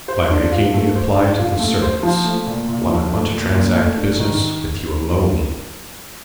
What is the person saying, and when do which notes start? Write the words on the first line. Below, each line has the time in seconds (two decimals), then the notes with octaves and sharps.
"By making me apply to the servants, when I want to transact business with you alone."
0.08 C5
0.31 D4
0.52 F4
0.74 A3
0.95 C5
1.16 D4
1.39 F4
1.59 A3
1.82 C5
2.03 F3
2.25 A3
2.46 A#2
2.68 A#2
2.89 F3
3.12 A3
3.32 A#2
3.55 A#2
3.76 A3
3.97 D4
4.19 D#3